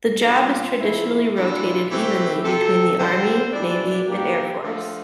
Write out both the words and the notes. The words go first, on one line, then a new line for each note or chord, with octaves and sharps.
The job is traditionally rotated evenly between the army, navy and air force.
A#2 G3 A#3 D4 F4
C3 F3 A3 E4
E3 G3 D4 F4
E3 A3 C4 G4
C3 F3 C4 A4
D3 G3 C4 C5
E3 G3 D4 D5
E3 A#3 D4 G4
D3 F3 A3 F4